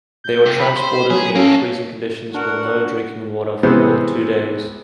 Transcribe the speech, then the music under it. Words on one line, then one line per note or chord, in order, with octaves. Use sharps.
They were transported in freezing conditions with no drinking-water for more than two days.
G6
C3
B5
C5
F#3 G#4
A#3 C#4 A4
E3 D4 F#4 A#4 F#5
C3 E3 G#3 B3 C5